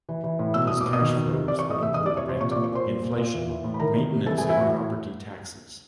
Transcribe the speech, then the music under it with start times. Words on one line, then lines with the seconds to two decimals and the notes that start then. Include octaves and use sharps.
These cash flows would include rent, inflation, maintenance and property taxes.
0.09 E3
0.24 E3
0.39 A2
0.54 B2 E6
0.67 B2 D#6
0.81 D6
0.86 B2
0.93 D#5 D#6
1.01 D#3
1.16 D#3
1.32 C3
1.48 E3 D5 D6
1.59 C#5 C#6
1.64 E3
1.70 D#5 D#6
1.78 C3 E5 E6
1.94 E3 D#5 D#6
2.06 D5 D6
2.09 E3
2.17 C#5 C#6
2.26 C3 C5 C6
2.40 A#2 C#5 C#6
2.52 D5 D6
2.55 A#2
2.63 C#5 C#6
2.72 A#2 C5 C6
2.87 A#2
3.02 A#2
3.18 A#2
3.33 E3
3.49 E3
3.64 A2
3.74 B5
3.79 D#3 A#4 A#5
3.95 D#3
4.11 C3
4.26 E3 A4 A5
4.38 G#4 G#5
4.41 E3
4.49 E4 E5
4.57 A2 F#4 F#5